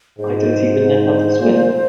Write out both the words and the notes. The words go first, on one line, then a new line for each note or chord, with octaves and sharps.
I don’t even know how to swim!
G#2 C5
G#2
A#2